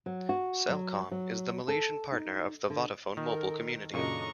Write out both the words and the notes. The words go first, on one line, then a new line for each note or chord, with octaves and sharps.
Celcom is the Malaysian partner of the Vodafone mobile community.
F#3
F#4
F#3
F#3
A4
D#4
D3
D#3 A4 A#4
F#2 A#2 C#3 D4 A4 D#5 A#5 C#6